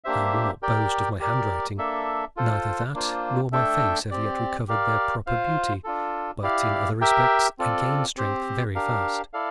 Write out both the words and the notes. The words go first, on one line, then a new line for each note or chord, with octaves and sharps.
I will not boast of my handwriting; neither that nor my face have yet recovered their proper beauty, but in other respects I gain strength very fast.
A#3 D4 G4 C5 E5
G4 A#4 D5 G5
G4 A#4 D5
A#3 D4 A4 E5
F4 A4 C5
A#3 D4 F4 C5
A3 D4 A4 E5 G5
C4 G4 D5
G4 A#4 D5 F5
F4 C5 F5
D4 F4 A4
E4 G4 D5 F5
G4 A#4 E5 G5
C4 F4 A4 D5
C4 G4 C5
D4 G4 A#4 F5
E4 A4 D5 F5